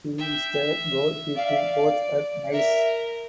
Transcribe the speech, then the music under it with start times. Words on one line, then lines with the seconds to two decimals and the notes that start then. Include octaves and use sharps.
He is the goalkeeping coach at Nice.
0.19 E5 G5
1.36 D5 F5
1.46 E5
1.56 F5
2.52 A#4 E5